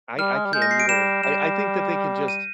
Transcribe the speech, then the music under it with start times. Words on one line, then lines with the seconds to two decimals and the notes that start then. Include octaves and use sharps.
I I can't either, I I think that they can just
0.18 G3 F6
0.36 G#3
0.46 G3
0.53 G#3 G6
0.62 A#6
0.71 C7
0.80 D7
0.88 G3 E7
1.23 G3 E7
2.28 D#7